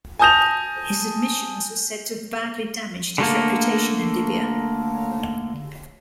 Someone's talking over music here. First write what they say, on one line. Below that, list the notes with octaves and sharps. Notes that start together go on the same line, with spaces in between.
His admissions were said to have badly damaged his reputation in Libya.
G#5 A5 D#6 G6 A#6 F7
D3 A3 A#3